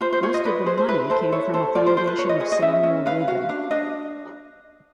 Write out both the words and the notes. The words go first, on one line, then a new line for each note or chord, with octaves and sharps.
Most of the money came from a foundation of Samuel Rubin.
F4 C5
C5
F4 C#5
D#5
B4 D5
G#4 C5
C5
E4 B4
A4 C5
E4 C#5
A4 C5
F4 D5
C5
F4 C5
B4
B4 C#5
D#5
G#4 D#5
D#5
C#4 E5
C#4
B4 F5
F#4 F5
D4 F5
D4 D#5